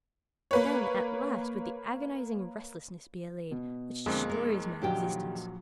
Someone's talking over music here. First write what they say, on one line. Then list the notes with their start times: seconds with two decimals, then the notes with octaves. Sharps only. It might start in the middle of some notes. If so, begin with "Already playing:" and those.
Then at last would the agonizing restlessness be allayed, which destroys my existence!
0.51 A#3 B4 C#5
3.51 B2
4.06 F2 D3 G#3 A#3 C4 D4
4.30 D#4 A#4
4.82 A#1 D#3 F#3 G4 G5